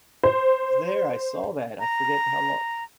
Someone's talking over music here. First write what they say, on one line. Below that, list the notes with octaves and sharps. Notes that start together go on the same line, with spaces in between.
was there, I saw that, I forget how lo
C5
A#5